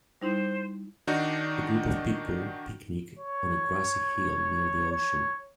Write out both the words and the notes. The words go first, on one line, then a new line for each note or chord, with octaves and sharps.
A group of people picnic on a grassy hill near the ocean.
G3 D#4 E4 C5
D#3 D4 D#4 F#4
C#5
C#5